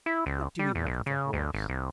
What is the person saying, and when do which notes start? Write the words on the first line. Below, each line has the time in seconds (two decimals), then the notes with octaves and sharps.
What do we want with a horse?
0.06 E4
0.26 C#2
0.59 G3
0.75 E2
0.86 B1
1.06 C#3
1.33 D2
1.54 G#1
1.69 C2